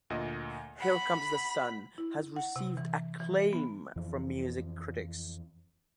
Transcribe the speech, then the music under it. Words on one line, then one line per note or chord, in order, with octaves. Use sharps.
"Here Comes the Sun" has received acclaim from music critics.
D2 A#2 D#5
F#5 B5
E4
F#5
C3
E3
E3
B3
F2 E3 F3